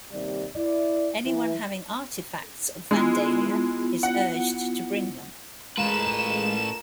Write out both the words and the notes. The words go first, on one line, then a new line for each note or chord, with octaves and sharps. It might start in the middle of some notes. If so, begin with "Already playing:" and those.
Anyone having artifacts of Vandalia is urged to bring them.
D#2 C3 G3 D5
E4 D5
E3
G#3 B3 E4 F4
F#5
A2 G#3 F4 A#4 B4 E7